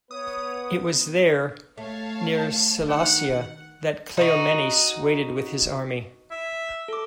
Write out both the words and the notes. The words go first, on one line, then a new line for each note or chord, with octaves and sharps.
It was there, near Sellasia, that Cleomenes waited with his army.
B3 B4 C#5 D#6
A3 C#5 F5 A5
D#3 F#5
D#4 F#4
E5
A4 D6